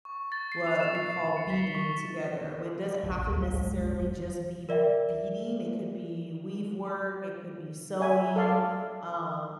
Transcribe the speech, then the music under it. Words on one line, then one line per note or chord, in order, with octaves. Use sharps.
what we call beading together, with it doesn't have to necessarily just be beading, it could be weave work, it could be sewing, um,
C#6
A6
C7
F7
E7
C7
E7
C#7
B6
G7
C#6
A1 A2 D3
A1 D2
C#2 G#2
F1 G#3
F2
E2
A#4 D5 E5 G5
C#5 E5 G#5
A4 D5 F5